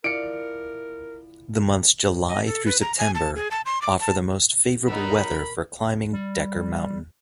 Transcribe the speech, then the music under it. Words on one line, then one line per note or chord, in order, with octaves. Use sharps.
The months July through September offer the most favorable weather for climbing Decker Mountain.
A2 E4 F4 A#4 D5 C#7 D7
D#5
A4
B4
A#5
G#5
A5
G#4
A5
C6
D6
A5
F#3 B3 D#4 A#4 B5
G3